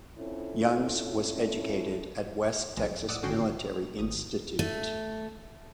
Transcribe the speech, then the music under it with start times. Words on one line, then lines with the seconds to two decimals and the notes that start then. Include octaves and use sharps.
Youngs was educated at West Texas Military Institute.
0.18 C4 C#4 E4 F4 A4 C#5
2.77 B1 F2 G#3
3.08 A1 D5 F#5 D#6 E6
3.23 G#1 D3 C#4 F#4 G5 C7
3.99 G#1 D#6
4.59 A3